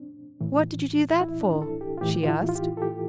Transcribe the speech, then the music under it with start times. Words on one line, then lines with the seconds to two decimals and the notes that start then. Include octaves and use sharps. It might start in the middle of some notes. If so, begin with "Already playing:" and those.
"What did you do that for?" she asked.
Already playing: C4 D4
0.41 A2 E3
1.21 E4
1.41 D4
1.62 A4
1.81 G4
1.98 F4
2.01 A2 E3 G4
2.23 F4
2.28 E4
2.49 F4
2.55 G4
2.77 A4
2.82 G4